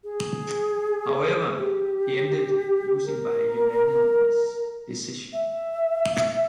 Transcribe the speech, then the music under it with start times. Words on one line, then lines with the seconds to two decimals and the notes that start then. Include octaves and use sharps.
However, he ended losing by unanimous decision.
0.04 G#4
1.54 G#4
1.59 G4
3.05 A#4
5.33 E5